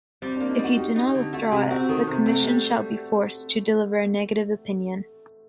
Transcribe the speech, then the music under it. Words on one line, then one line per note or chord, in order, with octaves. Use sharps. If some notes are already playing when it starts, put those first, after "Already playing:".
If you do not withdraw it, the Commission shall be forced to deliver a negative opinion.
G3 C4
A#3 D4
D#4
G3
F#4
D#4 G4
D#4
G4
D3
A3 F#4
C3 G4
C4 F#4
D#3 A4
C3 C4
C3 A3
G3
G3